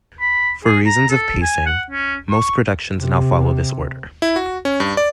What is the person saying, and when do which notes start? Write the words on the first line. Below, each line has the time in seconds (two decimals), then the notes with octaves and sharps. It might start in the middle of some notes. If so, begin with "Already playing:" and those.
For reasons of pacing, most productions now follow this order.
0.20 B5
0.64 G#4
0.86 A#5
1.10 A4
1.42 G#5
1.66 F#5
1.90 C#4
2.30 C#6
2.95 C3
4.22 E4
4.36 F#4
4.65 C#4
4.80 G2
4.97 D5